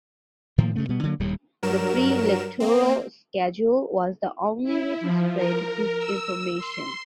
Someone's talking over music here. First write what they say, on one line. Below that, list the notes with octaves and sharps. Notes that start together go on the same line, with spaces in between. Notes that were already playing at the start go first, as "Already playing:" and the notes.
The free electoral schedule was the only way to spread this information.
A2 D#3 F3 A#3
G2 C#3 A3 B3
B2 G3 B3
D3 F#3 A#3
D#1 D#2 A2 G3
G2 F#3 A#4 E7
A#3 C4
E4
F3
A#4
E6
C6